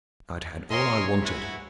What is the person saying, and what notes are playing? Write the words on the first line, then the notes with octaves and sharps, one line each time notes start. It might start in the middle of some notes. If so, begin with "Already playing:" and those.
I'd had all I wanted.
A#4 C#5 D#5 G#5 C6
E4 F#4